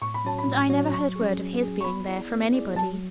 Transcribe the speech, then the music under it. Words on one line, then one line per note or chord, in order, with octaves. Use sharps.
"And I never heard word of his being there from anybody."
A2 C#6
B5
F#3 C#4 F#4 C#5 A5
B5
A2
F#3 C#4 F#4 C#5
F#3 C#6
C#4 G#4
F#3
C#4 G#4
C#6
B3 B5
E4 G#4 D5
B3
E4 G#4 D5
F#3 A5